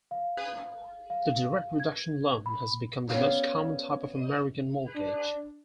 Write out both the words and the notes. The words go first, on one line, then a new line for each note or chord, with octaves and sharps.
The direct reduction loan has become the most common type of American mortgage.
F5
F5
G#6
B5
B3 C#4 G4 D5 F5
D4